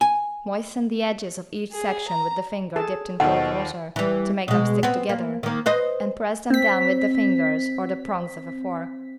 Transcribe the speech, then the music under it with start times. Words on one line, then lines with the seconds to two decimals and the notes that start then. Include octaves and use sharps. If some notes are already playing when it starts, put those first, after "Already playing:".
Moisten the edges of each section with the finger dipped in cold water, to make them stick together, and press them down with the fingers or the prongs of a fork.
0.01 G#5
1.71 G#4
2.08 A#5
2.76 G#4 A4 A5
3.20 D#2 B2 D#3 F3 A4 F#5
3.96 E3 G3
4.48 B2 G#3
4.83 B3 C4
5.09 A#3
5.43 D#3 A#3
5.66 B4 C5 D#5
6.50 C4 B6